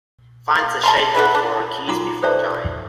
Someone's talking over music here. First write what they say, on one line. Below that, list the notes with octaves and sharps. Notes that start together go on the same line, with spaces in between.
Find the schedule for A Kiss Before Dying.
A#3
A5 A#5 C6
B3 D4 E4 B4
D4
D#4 F4 F#4 F#5 A#5 D6
G4 A4 C5 D5 E5 A5